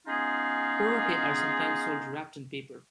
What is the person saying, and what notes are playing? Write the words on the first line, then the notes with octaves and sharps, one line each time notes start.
"Korokke" are sometimes sold wrapped in paper.
G#3 B3 C#4 D#4 F4 G#4